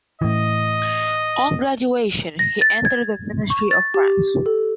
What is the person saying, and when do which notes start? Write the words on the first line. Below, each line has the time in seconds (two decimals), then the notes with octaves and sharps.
On graduation, he entered the Ministry of Finance.
0.22 A2 E3 D#5
2.39 A#6
2.61 A6
2.85 G#6
3.50 C#6
3.71 A6
3.94 G4
4.46 A4